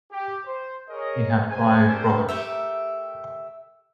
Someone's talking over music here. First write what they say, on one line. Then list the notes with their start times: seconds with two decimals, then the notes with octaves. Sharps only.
He had five brothers.
0.12 G4
0.46 C5
0.89 G#4 A#4 C#5 D#5
1.50 G#3 C#4 G4 C5 G#5
1.88 C4 D4 G4 A4 A#4 C5
2.29 A3 G4 A#4 E5